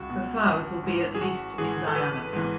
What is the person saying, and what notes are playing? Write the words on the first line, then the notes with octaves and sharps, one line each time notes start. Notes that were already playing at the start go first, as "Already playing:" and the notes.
The flowers will be at least in diameter.
Already playing: C#2 F#4
B2
A1
G#2 E3
G#4
A1 F#4
G#2 E3 G#4
A4
A1 B4
G#2 E3